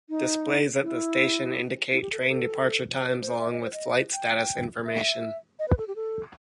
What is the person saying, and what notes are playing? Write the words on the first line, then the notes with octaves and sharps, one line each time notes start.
Displays at the station indicate train departure times along with flight status information.
D#4
E4
E4
G4
A4
B4
A4
B4
C5
E5
D#5
C5
D#5
G5
E5
D#5
B4
A4
G4
A4